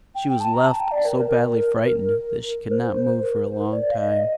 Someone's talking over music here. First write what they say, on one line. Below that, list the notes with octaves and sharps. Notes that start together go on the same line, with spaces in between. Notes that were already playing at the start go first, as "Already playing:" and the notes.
She was left so badly frightened that she could not move for a long time.
G5
G5
A5
A#5
A5
G5
D5
A#4
A#4
C5
C5
A#4
C5
D5
F5
D#5